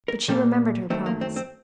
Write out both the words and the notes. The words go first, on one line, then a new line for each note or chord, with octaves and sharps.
But she remembered her promise.
A#4
A#2 G3 A#3 A4
F#2 D#3 F#3 A3 C4
A#3
C4
C4